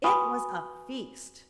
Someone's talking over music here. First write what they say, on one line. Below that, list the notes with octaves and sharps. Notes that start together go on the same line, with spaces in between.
It WAS a feast!
F#4 B4 G#5 B5 C#6 D#6